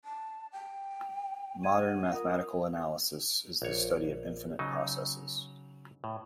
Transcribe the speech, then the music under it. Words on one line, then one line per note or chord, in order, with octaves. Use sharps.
Modern mathematical analysis is the study of infinite processes.
A5
G5
F#5 G#6 D#7
F4 A#4 D#6
A#1 C#5
C#3 F#3 D#4
A2